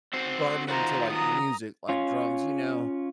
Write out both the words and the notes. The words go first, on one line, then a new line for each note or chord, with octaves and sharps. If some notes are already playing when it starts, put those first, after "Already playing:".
gardening to, like, music, like, drums, you know,
C4 F#4 C5
D#3 F4 F#4 C5 A#5
A#5 D#6
C#4 F4